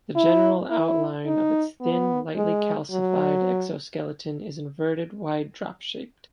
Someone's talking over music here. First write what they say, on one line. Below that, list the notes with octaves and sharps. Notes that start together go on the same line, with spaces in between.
The general outline of its thin, lightly calcified exoskeleton is inverted wide drop-shaped.
E4
E4
D#4
B3
G#3
F#3